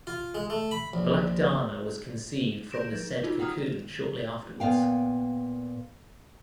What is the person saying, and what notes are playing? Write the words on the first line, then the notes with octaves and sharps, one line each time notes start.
Black Darna was conceived from the said cocoon shortly afterwards.
F4
G#3
A3
B5
A#1
G6 A#6 D7 E7
F3
D#4 F4 F#4
F#5 G5 A#5 D#6 F6
A#2 B3 F5 G5